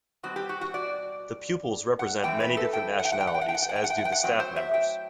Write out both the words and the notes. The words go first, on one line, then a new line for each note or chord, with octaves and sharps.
The pupils represent many different nationalities, as do the staff members.
B2 G3 C4 F#4
G4
F#4
F#4
D5
F#5
A2 E3 A3 C4 G5
B4
A4
G5
F#5
G5
F#5
G5
F#5
G5
F#5
G5
F#5
G5
F#5
G5
F#5
G5
F#5
G5
F#5
A2 F#3 C4 G5
C5
E5
G5